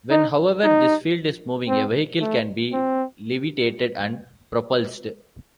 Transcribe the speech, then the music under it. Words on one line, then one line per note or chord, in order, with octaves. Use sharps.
When however this field is moving, a vehicle can be levitated and propulsed.
D#4
D#4
C4
A3
C4